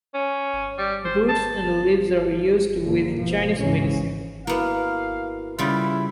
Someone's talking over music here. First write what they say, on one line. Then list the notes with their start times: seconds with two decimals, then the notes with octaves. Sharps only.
Roots and leaves are used within Chinese medicine.
0.14 C#4
0.78 G3
1.05 C5
1.29 A5
2.82 F#2 D3 A#3
3.18 B2 F3
3.59 C#2 G#2 C#3 E3 C#4
4.47 A#3 B3 E4 F#4 A#4 F5
5.59 C#3 G3 E4 F4